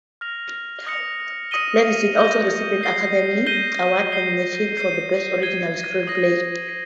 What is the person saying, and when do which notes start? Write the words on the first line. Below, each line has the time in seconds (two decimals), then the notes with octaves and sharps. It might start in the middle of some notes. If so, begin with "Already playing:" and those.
Levinson also received an Academy Award nomination for Best Original Screenplay.
0.21 F6 A#6 F7
0.87 D#6 A#6 C#7 F7
1.51 D#6 A#6 D#7 G7
2.16 G6 A#6 D#7 G7
2.81 G6 C7 G7
3.46 G6 A#6 D#7 G7
4.12 G6 C7 D#7 G7
4.77 G6 C7 D#7
5.43 G#6 D#7 G7
6.07 D#6 A#6 D#7